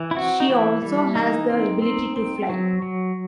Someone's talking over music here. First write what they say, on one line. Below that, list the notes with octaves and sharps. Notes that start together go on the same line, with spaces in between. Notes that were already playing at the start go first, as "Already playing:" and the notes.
She also has the ability to fly.
Already playing: E3
E4
C4 F#4
D#4
E3 E4
G3
E3 D#4
C4
C4
C4
F#3
F#3